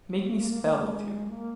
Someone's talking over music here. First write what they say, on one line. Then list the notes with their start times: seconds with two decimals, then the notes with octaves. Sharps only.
Make me spell with you.
0.23 A#3
0.35 A#3
0.49 A#3
0.63 A#3
0.76 G#3
1.29 A#3